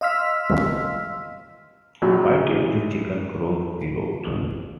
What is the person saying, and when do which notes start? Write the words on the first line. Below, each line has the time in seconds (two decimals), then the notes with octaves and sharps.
Why did the chicken cross the road?
0.01 D#5 F5 C6 E6 F6 B6
2.02 A#1 F#3